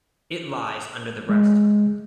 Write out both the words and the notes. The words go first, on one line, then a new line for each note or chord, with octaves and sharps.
It lies under the breast.
G#3